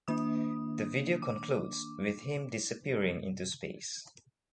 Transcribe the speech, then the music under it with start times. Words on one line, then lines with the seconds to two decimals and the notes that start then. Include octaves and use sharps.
The video concludes with him disappearing into space.
0.08 D#3 A#3 D4 D#6
1.22 D6